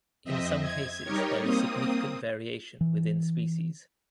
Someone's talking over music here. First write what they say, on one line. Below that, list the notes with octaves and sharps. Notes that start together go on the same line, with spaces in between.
In some cases, there is significant variation within species.
F2 C4 D#5 E5
G#6
G3 D#4 G4 A#4 C#5
A#3 C4 D#6
E3